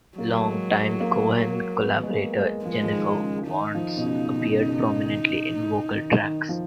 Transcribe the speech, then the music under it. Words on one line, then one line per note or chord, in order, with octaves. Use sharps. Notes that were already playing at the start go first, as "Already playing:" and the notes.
Long-time Cohen collaborator Jennifer Warnes appeared prominently in vocal tracks.
F#3 A#3
G#3
G#3
A#3
B3
G#3
A#3
G#3
F3 G#3
F3
D#3
C#3
D#3 D#4
F3
B2
C#3
B2
C#3
B2
C#3
B2
C#3
B2
D#3
C#3
D#3
D#3
F3